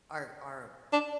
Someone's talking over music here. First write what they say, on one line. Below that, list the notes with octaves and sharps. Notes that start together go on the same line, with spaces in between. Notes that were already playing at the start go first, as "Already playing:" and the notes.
our our
D4